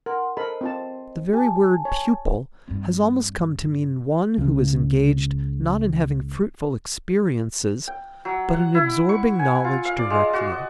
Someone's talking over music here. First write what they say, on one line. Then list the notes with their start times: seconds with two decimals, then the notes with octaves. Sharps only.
The very word pupil has almost come to mean one who is engaged not in having fruitful experiences but in absorbing knowledge directly.
0.06 A#4 F#5 C6
0.37 A4 A#4 C5 D#5 B5
0.61 C4 F4 A5
1.33 G4 G#5 A5
1.85 C#5
2.68 G2 C4
4.38 C#2 C#3
7.87 G5
8.25 F#3
8.53 F#5
8.75 E4
9.09 C#6
9.39 G#5
9.64 F4
9.85 F5
9.98 D5
10.10 G#3
10.33 F#4
10.52 D#5